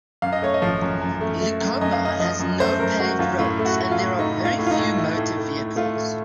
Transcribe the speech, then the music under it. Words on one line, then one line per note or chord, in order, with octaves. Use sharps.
Likoma has no paved roads, and there are very few motor vehicles.
F#2 F5
D#5
A3 C#5
D#5
F3
F#2
F#2
A3
A3
F#2
F#2 D#5
F5
F#2 D#5
F3 D#5
F#2
A3 C5
F#2 A#4
A3 F#4
F#2 F4
A2 F4
A3
F#4
A3
F4
A2
A3 D#4
A2
F4
A2
F4
D#4
A2
A3
A2
A3
A3
A3 F4
A2